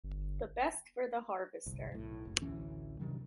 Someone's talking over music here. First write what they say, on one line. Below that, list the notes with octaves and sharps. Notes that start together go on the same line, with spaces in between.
The best for the harvester.
G1
G1 C2
B1 A2
F#1
A1 D2 E3 C#4
G2 C3 D#3 F#3